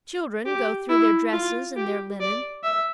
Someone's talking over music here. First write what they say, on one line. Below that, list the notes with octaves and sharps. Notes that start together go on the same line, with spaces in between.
Children go through their dresses and their linen.
G4
E4
F4
G4
D5
E5